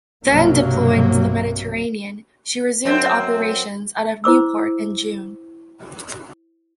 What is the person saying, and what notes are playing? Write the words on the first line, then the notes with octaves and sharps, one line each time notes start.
Then deployed to the Mediterranean, she resumed operations out of Newport in June.
B1 G2 C3 F#3 A#3
F#2 C4
E4 C5 D6 E6